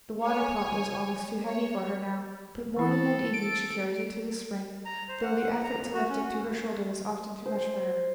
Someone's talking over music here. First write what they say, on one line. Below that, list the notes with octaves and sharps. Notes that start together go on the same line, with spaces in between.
The water-pot was almost too heavy for her now, but morning and evening she carried it to the spring, though the effort to lift it to her shoulder was often too much for her.
C#5 G#5
C#5
E3 E4 A4
D7
A#5
C5
F#5
F#5
F#5
A#5
F2
F#4
C#4
F#4
D#2
C5